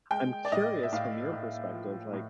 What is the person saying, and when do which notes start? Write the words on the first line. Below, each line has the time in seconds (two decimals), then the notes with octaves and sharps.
I'm curious from your perspective, like,
0.11 G#3 G5
0.45 D5
0.52 A2 D#5
0.83 E5
0.93 A2 F5
1.32 A2
1.73 F3
2.13 A2